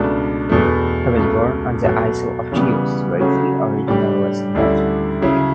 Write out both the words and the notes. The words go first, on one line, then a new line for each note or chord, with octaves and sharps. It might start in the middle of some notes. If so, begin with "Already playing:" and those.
He was born on the isle of Chios, where he originally was a merchant.
Already playing: C#2 B2 A3 D4
E2 B2 A3
C#2 B2 A3
B2 F#3 A3
C#3 E3 G3 B3
C#3 F#3 A3 C#4 F#4
A2 G3 D4 G4
D2 D3 G3 C#4 E4
C#3 F#3 C#4 E4